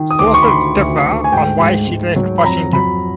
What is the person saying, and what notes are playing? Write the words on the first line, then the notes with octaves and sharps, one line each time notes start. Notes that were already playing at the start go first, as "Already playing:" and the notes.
Sources differ on why she left Washington.
Already playing: D#3
D#6
D2 D6
C6
C#6
B5
D3 C6
D2
D2
G#5
G#2 G5
G#2
G#2
F#3
B5
F2 A#5
F#3 B5